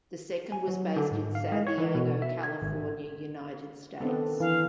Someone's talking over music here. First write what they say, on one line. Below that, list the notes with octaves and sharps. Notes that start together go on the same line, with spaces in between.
The second was based in San Diego, California, United States.
G#5
F#3
D3
G#2
F5
G#3
C#5
E3
B2
E5
G#6
G#1
D#3 B3 C4 D4 A4
E3 F5